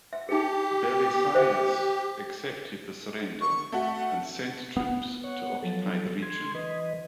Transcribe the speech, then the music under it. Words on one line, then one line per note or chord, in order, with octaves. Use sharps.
Belisarius accepted the surrender and sent troops to occupy the region.
E5
D#4 G4 G#4
C5 E5 G5
C#6
A3 F#4 E5
F#5
B3
C#5 F#5
F3 F#3 A4
C6 G#6
E3 B4 D#5